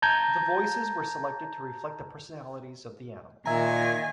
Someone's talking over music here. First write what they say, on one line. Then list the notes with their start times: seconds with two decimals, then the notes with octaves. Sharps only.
The voices were selected to reflect the personalities of the animals.
0.02 A5 A#5 G6 G#6
3.46 A#2 D#3 E5 G#5 A#5